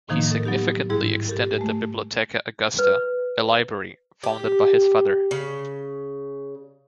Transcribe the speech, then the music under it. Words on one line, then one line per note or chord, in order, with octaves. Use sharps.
He significantly extended the Bibliotheca Augusta, a library founded by his father.
A2 C3 D#3 F3 A#3 D#4
A4 A#4
F#3 B3 D#4 G4
G#2 G3 E4 G#4
G4 A4 A#4
G#3 A3
B4
G4
C#3